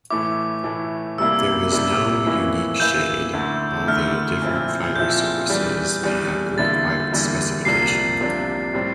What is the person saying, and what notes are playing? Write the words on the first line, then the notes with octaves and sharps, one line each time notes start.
There is no unique shade, although different fire services may have a required specification.
A2 E3 A3 E4 D6
A2 E3 A3 E4
C2 C3 G3 A#3 E4 E6
C2 C3 G3 A#3 E4
A2 E3 A#3 E4
A2 E3 A#3 E4 G6
D2 D3 A3 E4
D2 D3 A3 E4 F6
A#2 F3 C4 E4
A#2 F3 C4 E4 G6
E2 E3 G3 D4
E2 E3 G3 D4
E2 D3 G3 A#3 E4 A6
E2 D3 G3 A#3 E4
C2 C3 F3 A#3 D4 C7
C2 C3 F3 A#3 D4
A2 G3 C4